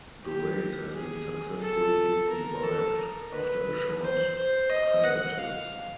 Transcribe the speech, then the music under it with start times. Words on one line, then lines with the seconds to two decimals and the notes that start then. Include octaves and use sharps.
The race has been successfully revived after a short hiatus.
0.24 G4
0.92 G#4
1.60 A4
2.29 A#4
2.63 A4
2.98 A#4
3.32 B4
4.01 C5
4.35 C5
4.69 D#5
5.04 F#5
5.38 F5